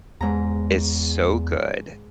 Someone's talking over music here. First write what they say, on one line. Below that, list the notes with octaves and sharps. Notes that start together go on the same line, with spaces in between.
is so good,
E2 G#2 A#5